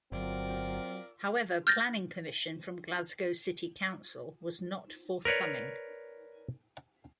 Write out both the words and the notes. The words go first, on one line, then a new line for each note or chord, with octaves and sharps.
However, planning permission from Glasgow City Council was not forthcoming.
G1 F#3 C4 F4 A#4 D5
F6 G6 A6 A#6
A#4 B4 C#5 D5